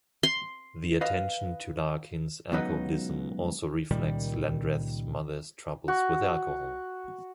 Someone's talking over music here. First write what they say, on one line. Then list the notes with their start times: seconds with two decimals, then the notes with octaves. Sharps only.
The attention to Larkin's alcoholism also reflects Landreth's mother's troubles with alcohol.
0.23 C6
1.01 B4 D#5 F5
2.52 C#2 B2 F#3 B3 D#4 B4
3.91 C#2 A#2 D#3 G3
5.88 F#4